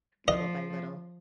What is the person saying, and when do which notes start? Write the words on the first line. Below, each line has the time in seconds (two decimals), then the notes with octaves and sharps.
little by little.
0.28 F3 D#5